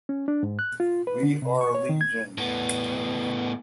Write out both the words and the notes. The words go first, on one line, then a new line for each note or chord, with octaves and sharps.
We are Legion!
C#4
D4
G#2
F#6
F4
B4
D3
C3
C#6
C#5
D#3
G#6
A2 B3